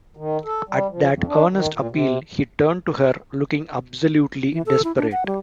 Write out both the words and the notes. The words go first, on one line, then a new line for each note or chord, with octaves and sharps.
At that earnest appeal he turned to her, looking absolutely desperate.
D#3
A4
G3
F3
F2
D4
D#3
A#2
C3
E3
A4
E4
D4
F#5
G3